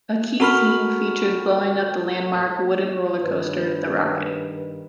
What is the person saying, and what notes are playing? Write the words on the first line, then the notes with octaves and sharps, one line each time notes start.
A key scene featured blowing up the landmark wooden roller coaster"The Rocket".
F#4 A4 A#4 B5 C#6 F6
G2 D#3 B4